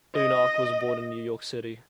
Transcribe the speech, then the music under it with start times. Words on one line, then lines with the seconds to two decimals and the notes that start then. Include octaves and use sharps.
Uhnak was born in New York City.
0.15 D#5